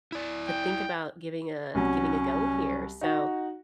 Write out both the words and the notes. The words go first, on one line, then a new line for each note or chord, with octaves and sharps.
to think about giving a giving a go here, so,
E4 D5
G5
C2 F#3 C#4
D#4 F#4